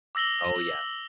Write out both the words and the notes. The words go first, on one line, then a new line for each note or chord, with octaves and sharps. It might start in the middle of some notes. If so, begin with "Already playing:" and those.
Oh, yes.
D6 E6 A#6 F#7 G7